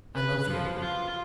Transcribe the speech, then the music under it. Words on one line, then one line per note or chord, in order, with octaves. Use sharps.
"I love you!"
B4
F3
F4